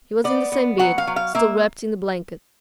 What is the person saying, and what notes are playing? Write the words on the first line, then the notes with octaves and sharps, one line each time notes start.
He was in the same bed, still wrapped in the blanket.
B3 D5
B3
F#3 F#5
F5
F#3
F5
A#3 E5